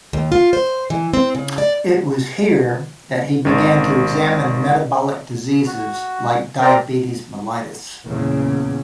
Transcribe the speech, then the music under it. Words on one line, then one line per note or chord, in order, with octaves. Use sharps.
It was here that he began to examine metabolic diseases like diabetes mellitus.
D#2
F4
C5
E3
C4
C#3
D5
G#1 D#3
F#4
C4 A#4 C5 D5 G5 A#5
E2 A#2 C#3